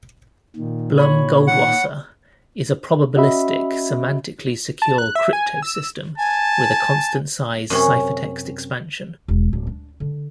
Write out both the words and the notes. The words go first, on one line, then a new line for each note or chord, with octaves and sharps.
Blum-Goldwasser is a probabilistic, semantically secure cryptosystem with a constant-size ciphertext expansion.
A#2 D#3
C#5 B5 C#6
F#5
C#4 F#4 D#5 E5 B5
A5
F#6
E5
G#5
E6
G#5 A5
F#2 C3 C#4
E1
D1
D4
D3